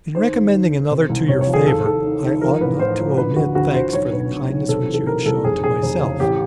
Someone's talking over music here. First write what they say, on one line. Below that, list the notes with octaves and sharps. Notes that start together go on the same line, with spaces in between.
'In recommending another to your favour, I ought not to omit thanks for the kindness which you have shewn to myself.
D#3 C5
D#2
D#3
D#3
C3
C2
C3 C#5
C#5
F3
G#4
D#2 A4
D#2 A4
D#3
D#3
F3 A#4
A1 B4
A2 C5
F3
D3 B4
D2 F#4
D2 F#4
D2 C5
B1 C#5
B2 B4
B2
B1
C3 A4
E3
A4
C3 A#4
C2 A4
F1 G#4
F1 G#4
F1
C#3
A1 G4